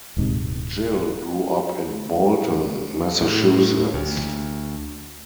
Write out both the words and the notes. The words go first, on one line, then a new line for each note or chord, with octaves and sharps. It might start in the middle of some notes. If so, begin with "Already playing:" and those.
Gill grew up in Bolton, Massachusetts.
D#1 G#2 C3
A2
D2